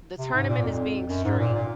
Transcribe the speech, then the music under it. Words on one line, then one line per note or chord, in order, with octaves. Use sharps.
the tournament is being streamed
C3
G#2
A#2
F2
F#2
G#2
A#2
A#2